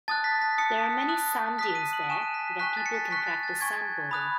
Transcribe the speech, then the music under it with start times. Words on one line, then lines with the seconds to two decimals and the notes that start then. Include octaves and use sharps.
There are many sand dunes there, where people can practice sandboarding.
0.08 A5 D#6 F#6 A6
0.24 B6
0.41 B6
0.58 A5 D#6 F#6 C#7
1.09 A5 D#6 F#6
1.58 A5 D#6 F#6 B6
1.75 D#7
1.93 F#7
2.09 G#5 C#6 F#6 E7
2.22 D#7
2.34 B6
2.48 B6
2.59 G#5 C#6 F#6 B6
2.77 A6
2.86 C#7
2.94 B6
3.10 G#5 C#6 F#6 B6
3.27 A6
3.43 A6
3.60 G#5 C#6 F#6 G#6
4.11 B5 D#6 F#6